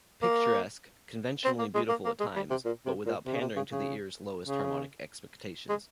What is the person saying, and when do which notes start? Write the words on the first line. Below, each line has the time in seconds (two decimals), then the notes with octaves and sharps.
Picturesque, conventionally beautiful at times, but without pandering to the ears' lowest harmonic expectations.
0.22 A#3
1.45 C4
1.59 A#3
1.75 G#3
1.89 A#3
2.05 A#3
2.20 G#3
2.36 G3
2.50 C3
2.65 A#2
2.86 C3
3.06 A#2
3.26 C3
3.35 C#3
3.41 C3
3.56 C#3
3.72 C#3
4.48 C#3
5.69 G#3